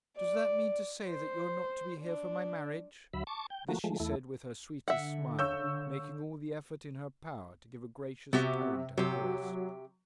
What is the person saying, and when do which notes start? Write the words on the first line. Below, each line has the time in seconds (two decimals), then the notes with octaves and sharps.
'Does that mean to say that you are not to be here for my marriage?' This she said with her sweetest smile, making all the effort in her power to give a gracious tone to her voice.
0.17 D5
1.08 C5
2.01 D4
3.14 D2 F#3 E5 B5
3.27 A5 C#6 D6
3.50 G5
3.69 F3 A3 A#3 F#4
3.84 F3 G#3 A3
4.00 E2 A3 E4
4.88 D3 E5 F#5
5.39 C#5 F5 C#6 E6 G6
8.33 C3 B3 F#4 G4
8.97 C3 F#3 G4